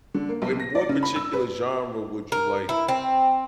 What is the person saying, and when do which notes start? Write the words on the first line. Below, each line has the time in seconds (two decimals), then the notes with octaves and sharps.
in what particular genre would you like
0.14 D3
0.29 A#3
0.42 B1
0.60 A#6
0.75 D5
0.89 C#3
1.03 B5
1.16 E6
1.33 B4
2.32 A#4
2.69 E4
2.88 C4